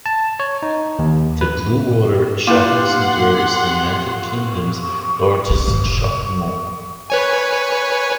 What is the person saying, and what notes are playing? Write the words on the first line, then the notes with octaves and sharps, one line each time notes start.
The Bluewater shopping centre is the United Kingdom's largest shopping mall.
A5
C#5
D#4
D#2
B4
A#3 E4 F4 G4 B4 F#5 C6
C3
G#1
F1
B4 C#5 G#5